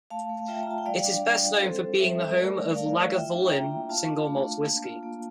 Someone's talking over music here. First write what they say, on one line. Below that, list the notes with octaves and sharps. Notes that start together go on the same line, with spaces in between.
It is best known for being the home of Lagavulin single malt whisky.
A3 F5 A5
A3
F4 E5 G5
A#5
F4 A5
G5
G3 D5 F5
D4
D5 F5
G3
F4
C4 A4 C5
C4
G3 C5 E5
G3
A3 A#4 D5
A3
A3 D5 F5
E4
F4 E5 G5
D4
F4 G5 A#5
A#3
F4 F5 A5
D4
A3
D4
A#3
F4
A#3